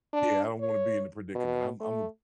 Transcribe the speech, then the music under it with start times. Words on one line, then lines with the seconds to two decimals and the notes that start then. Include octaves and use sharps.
Yeah, I don't wanna be in the predicament. I'm I'm a
0.13 D4
0.60 C#5
1.35 B2
1.80 A3